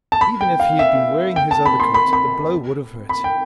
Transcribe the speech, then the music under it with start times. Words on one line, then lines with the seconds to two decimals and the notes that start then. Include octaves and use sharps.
Even if he had been wearing his overcoat, the blow would have hurt.
0.12 A5
0.21 B5
0.41 G5
0.60 F5
0.79 E5
1.36 G5
1.51 A5
1.66 B5
1.80 C6
1.94 B5
2.13 B5
3.09 B5
3.24 G5